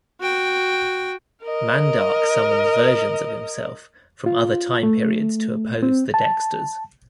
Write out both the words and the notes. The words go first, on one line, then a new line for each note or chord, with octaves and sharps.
Mandark summons versions of himself from other time periods to oppose the Dexters.
F#4 G5
A#4 D#5
F4
A3
C4
A5